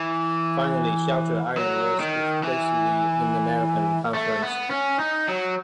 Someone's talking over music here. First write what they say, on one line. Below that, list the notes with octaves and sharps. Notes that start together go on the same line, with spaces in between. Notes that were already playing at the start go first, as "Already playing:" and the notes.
Finally, Shelter Island was explicitly an American conference.
Already playing: E3
F#3
D#3
E3
A3
B3
C#4
D#4
F#3